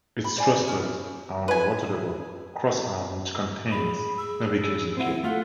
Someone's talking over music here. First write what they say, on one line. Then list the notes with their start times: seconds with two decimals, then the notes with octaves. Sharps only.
Its thrusters are on a rotatable cross-arm which contains navigation kit.
0.24 B5
0.36 C5 D5 G#5
0.68 C#4 E4
1.48 B4 G#5
3.71 G#4 B5
4.17 E6
4.97 C4 E4 F#5
5.23 A3 F4 A4 F#5